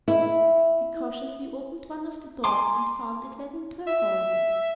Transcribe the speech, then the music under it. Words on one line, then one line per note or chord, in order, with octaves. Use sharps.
He cautiously opened one of the doors and found it led into a hallway.
E4
G#5 A#5 C6 D6
E5